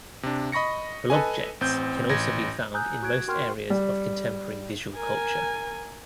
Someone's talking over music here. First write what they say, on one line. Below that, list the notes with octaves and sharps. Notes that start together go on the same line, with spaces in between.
Blobjects can also be found in most areas of contemporary visual culture.
C3 D4
D#5 B5 C#6 A#6 C#7
A4 B4 D#5 G#5
A1 C4 G6
A1 G#6 A#6
G#5 A#5 D#6 E6 F#6 G6
F#4 F#6 G#6 D7
F#4 A#4 G5 C6 C#6 F6
G3
A#4 G#5